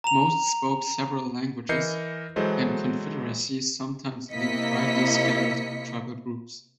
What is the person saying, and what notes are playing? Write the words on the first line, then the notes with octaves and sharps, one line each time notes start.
Most spoke several languages, and confederacies sometimes linked widely scattered tribal groups.
A#5 F7
E3 A#4 D#5 G6 C7 C#7
E3 F#3 G#3 A4 C5 D#5
C3 A#3 E4 D#5 B6 C#7